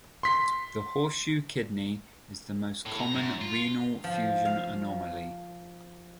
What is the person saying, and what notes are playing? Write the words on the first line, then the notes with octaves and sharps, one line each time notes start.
The 'horseshoe kidney' is the most common renal fusion anomaly.
C6 B6
A2
A#5
F#2
F4
F3
F5